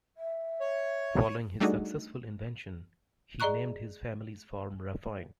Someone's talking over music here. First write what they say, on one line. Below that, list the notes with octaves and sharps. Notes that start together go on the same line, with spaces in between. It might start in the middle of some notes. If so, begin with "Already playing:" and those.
Following his successful invention, he named his family's farm Raphine.
E5
C#5
G3 A3 D4 D#4 F#4 G#4
G#4 D5 D#5 A#5 C#6 F#6